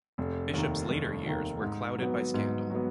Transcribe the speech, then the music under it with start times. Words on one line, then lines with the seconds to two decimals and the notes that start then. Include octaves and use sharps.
Bishop's later years were clouded by scandal.
0.18 F1
0.54 D#2 D#3
0.90 F1
1.26 D#2 D#3
1.62 G#2
1.98 F#3 B3
2.34 G#2
2.70 F#3 B3